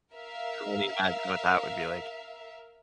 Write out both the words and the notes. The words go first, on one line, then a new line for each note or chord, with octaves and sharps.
I can only imagine what that would be like.
A#4 E5 F5